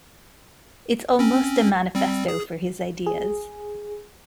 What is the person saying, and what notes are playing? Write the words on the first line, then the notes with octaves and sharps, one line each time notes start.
It's almost a manifesto for his ideas.
C4 C#4
G3 C4
G#4
G#4